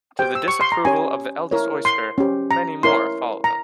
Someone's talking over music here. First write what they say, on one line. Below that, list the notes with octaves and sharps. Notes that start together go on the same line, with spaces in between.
To the disapproval of the eldest oyster, many more follow them.
G4 C5 G5
E6
C#6
C6
A#5
C#4 G4 C#5 G#5
E4 A#4 C#5
C6
C#4 G4 C5
A#5
E4 A#4 C#5 C6
A#5